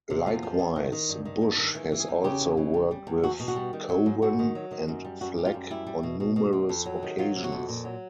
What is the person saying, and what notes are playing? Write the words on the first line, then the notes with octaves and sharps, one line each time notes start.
Likewise, Bush has also worked with Cowan and Fleck on numerous occasions.
C3
E2 F4
F3
E2
D#3
D#3
G2
D#3
G2
D#3
E3
E3
G#4
E2
C#3 G4
E3
C#3
G3
G3
E2
E2 F#4
B2
F#4
G3
D#3
F#3
G#2
G#2 F#4
D#3
F#3
D#3
F#2
G3
F#2 F#4
G3
F4
F#2
G3 E4
G3
B2
B2
B2
B2
F2
F#3
D#3
F#3 F4
C3
F#4
F2
A#2
F#3